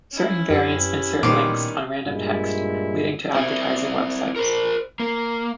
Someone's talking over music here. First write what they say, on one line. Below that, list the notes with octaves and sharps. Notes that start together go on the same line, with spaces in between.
Certain variants insert links on random text, leading to advertiser websites.
C#4 E4
F#2 G4 B4
A#2 D#3 G3 B3 C5 D6
G2 A#2 G#3 E4
C4 E4
A#4 C5
A#3